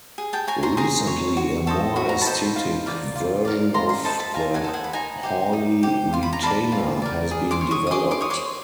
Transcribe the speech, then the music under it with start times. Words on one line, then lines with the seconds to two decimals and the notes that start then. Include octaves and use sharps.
Recently, a more aesthetic version of the Hawley retainer has been developed.
0.18 G#4
0.33 G5 A5
0.47 C#5 G#5 A#5
0.63 A#5 C6
0.77 G#4 A#5 C6
1.07 C#5
1.37 F#4
1.67 A4 C5 D#5
1.96 F#4 B5
2.09 A#5
2.21 A5 B5
2.27 A4 C5 D#5
2.56 F4
2.86 A#4 D5
3.16 F4
3.45 A#4 D5
3.74 F4 A#5 C6
3.89 A#5 C6
4.04 A4 C5 D#5 A5 B5
4.19 A5 B5
4.34 F4 G#5 A#5
4.54 F#5 G#5
4.64 A4 C5 D#5
4.73 F#5 G#5
4.84 B5
4.93 D#4 G#5 A#5
5.23 G4 C5
5.53 D#4
5.83 G4 C5
6.13 F4 C6
6.23 B5
6.33 A#5
6.42 A#4 D5 A5 B5
6.72 F4
7.02 A#4 D5
7.31 G#4
7.51 C6 D6
7.61 C#5
7.71 C#6 D#6
7.87 D#6
7.91 G#4 C6 D6
8.11 C6 D6
8.21 C#5 D#6
8.30 C6 D6